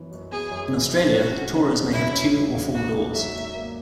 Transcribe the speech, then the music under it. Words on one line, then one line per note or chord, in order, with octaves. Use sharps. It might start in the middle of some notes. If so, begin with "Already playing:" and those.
In Australia tourers may have two or four doors.
Already playing: F#2 E3 B3
F#2
B3 G#4
F#2
E3
F#2
F#3 F#4
C#4
C#3
E2
F#3 E4
C#4
C#3
E2
A#3 F#4
D#4
F#3 E5
G#2
A#3